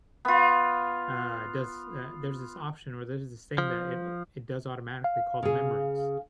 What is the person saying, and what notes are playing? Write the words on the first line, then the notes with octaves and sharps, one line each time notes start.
uh, does, uh There's this option, or there's this thing that it it does automatically called Memories.
B3 F4
F3
F5
C#3 G#4